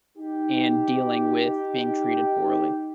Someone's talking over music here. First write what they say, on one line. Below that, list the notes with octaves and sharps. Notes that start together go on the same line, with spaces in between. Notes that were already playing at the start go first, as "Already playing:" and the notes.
in dealing with being treated poorly?
D#4 G4